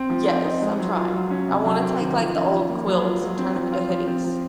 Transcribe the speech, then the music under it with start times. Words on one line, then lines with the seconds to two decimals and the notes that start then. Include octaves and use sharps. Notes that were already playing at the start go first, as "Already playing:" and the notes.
Yes, I'm trying. I wanna take like the old quilts and turn 'em into hoodies.
Already playing: C4
0.10 F3
0.28 C4
0.44 D#4
0.62 G#3
0.79 F#3
0.96 F4
1.13 F#3
1.30 C#4
1.48 C3
1.66 F#3
1.82 C4
2.00 D#3
2.18 F3
2.35 C#4
2.51 F3
2.69 A#3
2.87 F#3
3.03 F4
3.21 F#3
3.38 C4
3.55 F3
3.72 F4
3.90 F3
4.07 C4
4.24 F3